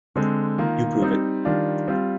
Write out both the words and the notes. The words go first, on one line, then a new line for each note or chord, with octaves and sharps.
You prove it.
D3 G#3 C4
D#3 A#3 F4
G3 C4 D#4
D#3 G3 D4 F4
G3 C4 F4